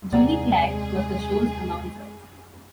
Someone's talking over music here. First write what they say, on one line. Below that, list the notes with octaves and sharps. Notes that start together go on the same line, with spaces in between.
Julie Claire was the show's announcer.
D#2 C3 G#3 C4 G#4 D5 F#5 A#5